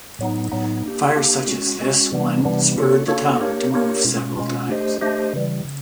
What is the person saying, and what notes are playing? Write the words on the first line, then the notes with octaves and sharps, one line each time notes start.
Fires such as this one spurred the town to move several times.
A2 F#3 B3 D#4
A2 F#3 B3 D#4
A#3 D4 G4
A#3 D4 G4
G#3 C#4 F#4
G#3 C#4 F#4
C3 E3 G3 B3 D4
C3 E3 G3 B3 D4
A#3 D4 F#4 A4 C#5
A#3 D4 F#4 A4 C#5
A#3 D4 G4 A#4 C#5
A#3 D4 G4 A#4 C#5
B2 G#3 C#4 F4
B2 G#3 C#4 F4
A3 D4 G4 C5 D#5
A3 D4 G4 C5 D#5
C#3 E3 G3
C#3